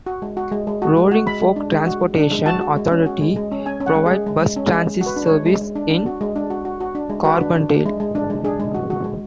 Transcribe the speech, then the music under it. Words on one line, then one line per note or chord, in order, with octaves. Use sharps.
Roaring Fork Transportation Authority provides bus transit service in Carbondale.
F#4
G#3
F#4
G#3
G#3
F#4
G#3
F#4
G#3 B5
G#3
D4
G#3
F#4
G#3
D4
G#3
F#4 A5
F#4
G#3
C#4
F#4
G#3
G#3
C#4
C#4 G#5
C#4
F#5
G#3
G#3 G#4
G#3
G#3
C#4
G#3
G#3
F#4
B4
D4
C#5
G#3
G#3
G#3
D4
D4
F#4
G#3
D4
F#4
F#4
F#4
D4
G#3
F#4 B4
D4
D4
D4
G#3
G#3
D4
G#3
D4 G#4
G#3
F#4
F#4
G#3